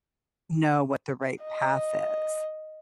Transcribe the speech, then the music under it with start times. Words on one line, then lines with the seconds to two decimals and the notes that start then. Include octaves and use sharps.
know what the right path is?
1.44 D#5